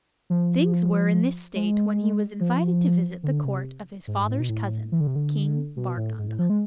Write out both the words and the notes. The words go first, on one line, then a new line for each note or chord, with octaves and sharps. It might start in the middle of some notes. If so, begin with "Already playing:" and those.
Things were in this state when he was invited to visit the court of his father's cousin, King Bardondon.
F3
G#3
F3
D3
C3
G#2
G#2
A2
B2
A2
E3
D3
C3
D3
B2
A2
G#2
A2
F3
G#3